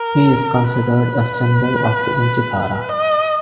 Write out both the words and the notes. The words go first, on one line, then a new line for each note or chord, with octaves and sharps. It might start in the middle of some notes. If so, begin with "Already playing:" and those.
He is considered a "symbol of the Intifada".
Already playing: A#4
B4
D#5